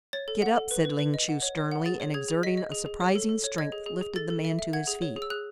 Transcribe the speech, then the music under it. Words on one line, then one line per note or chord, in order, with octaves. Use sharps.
"Get up," said Ling Chu sternly, and, exerting a surprising strength, lifted the man to his feet.
C#5 A6
A4
F#5
A4
B4
B4
B4
D#5
F#5
C#5
C#5
F#5
G#4 A6
C#5
G#4 G#6
G#4
D#5 B6
D#5
G#4
G#4
C#5
A4
A4
C#5
D#5 G#6
G#4
G#4
G#4
A4 A6
A4
E5
E5
F#5 G#6
G#4
C#5
G#4
E6
G#4 F#6